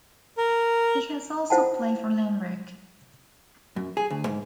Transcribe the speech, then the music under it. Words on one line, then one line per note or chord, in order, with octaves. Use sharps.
He has also played for Limerick.
A#4
E4 F4 C5 F#5 G5 A5
F#2
G#4
D2
G#2